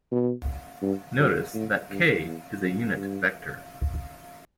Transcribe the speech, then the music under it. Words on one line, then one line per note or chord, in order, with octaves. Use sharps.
Notice that k is a unit vector.
B2
G2
F#2
A2
G2
E2
F#2
G2